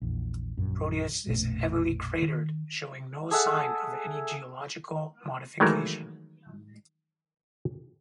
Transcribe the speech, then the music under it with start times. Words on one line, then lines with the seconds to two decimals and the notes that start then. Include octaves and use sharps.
Proteus is heavily cratered, showing no sign of any geological modification.
0.02 A#1 E2
0.57 A#1 F#2
1.27 F1 A#1 B2 A3
2.22 D#3
3.31 G#4 A4 E5 F#5
5.60 D#3 E3 F#3 G#3 A3 A#4